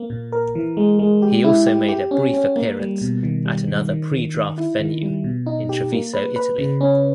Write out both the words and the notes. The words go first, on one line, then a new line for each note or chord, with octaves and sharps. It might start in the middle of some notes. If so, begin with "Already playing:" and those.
He also made a brief appearance at another pre-draft venue, in Treviso, Italy.
Already playing: A#3
A#2
A#4
E3
G#3
G#3
G4
E4
G4
G4
C#4
C#4
A#3
G3
B2
D#3
G3
D#3
D#3
D#3
D#3
E4
D#3
G3
B2
D#4
G4
A#3
B4
B4
C#3
C#4